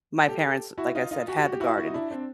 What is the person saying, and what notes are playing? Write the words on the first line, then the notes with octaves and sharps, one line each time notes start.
my parents, like I said, had the garden.
G4 A4
E4 F#4
D#4 F4
D#4 F4
F#4
G4
F#4
G4
E4 F#4
E4 F#4
D#4
D4 E4
C4 D4